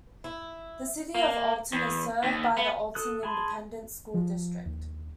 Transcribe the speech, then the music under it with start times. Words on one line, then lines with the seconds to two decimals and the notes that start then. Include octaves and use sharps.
The City of Olton is served by the Olton Independent School District.
0.24 E4
1.15 A#3
1.72 E2
2.23 D#2
2.57 B3
2.95 A4 D#6 F#6
3.23 G#4 G#5 A5 B5 C6
4.14 F3
4.65 D#2